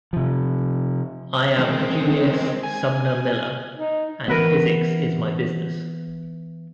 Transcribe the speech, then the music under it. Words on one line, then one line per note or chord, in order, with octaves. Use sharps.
I am Julius Sumner Miller, and physics is my business.
C3 F3
D#3 G#3 C4
G#5
D#4
E3 B3 A#4 B4 E5